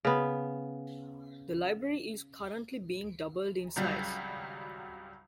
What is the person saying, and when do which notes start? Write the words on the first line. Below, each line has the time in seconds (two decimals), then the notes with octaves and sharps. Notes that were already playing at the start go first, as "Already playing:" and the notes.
The library is currently being doubled in size.
0.05 C#3 B3
3.76 G#1 C#2 F#3 G3